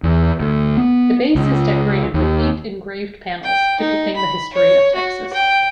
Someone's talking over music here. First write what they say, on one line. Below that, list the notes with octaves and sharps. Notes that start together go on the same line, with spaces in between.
The base is decorated with eight engraved panels depicting the history of Texas.
E2
D2
B3
C#2
D#2
G5
D#4
B5
C#5
F#4
G5